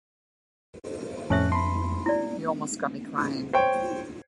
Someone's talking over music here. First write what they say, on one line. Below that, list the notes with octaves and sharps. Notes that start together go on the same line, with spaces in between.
You almost got me crying.
F2 A2 C#4 E5 A5 F#6
A5 B5 C6
E4 D5
C5 C#5 G5